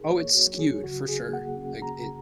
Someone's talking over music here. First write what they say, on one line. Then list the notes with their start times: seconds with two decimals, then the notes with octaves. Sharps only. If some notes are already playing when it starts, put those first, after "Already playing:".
Oh, it's skewed for sure. Like, it
Already playing: A#2 D#4 G#4 A#4
0.10 A#3 C#5
0.35 F#4
0.47 F#3
0.59 G#4
0.84 C#3 F#4
1.08 G#4
1.20 A#3
1.33 F#5
1.57 C#4
1.82 A#5
1.95 C#3